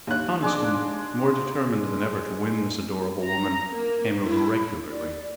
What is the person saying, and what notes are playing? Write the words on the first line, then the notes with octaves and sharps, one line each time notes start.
Conniston, more determined than ever to win this adorable woman, came over regularly.
D#2 F#6
G#3 D4 D6
A#5
A#3
E4
D5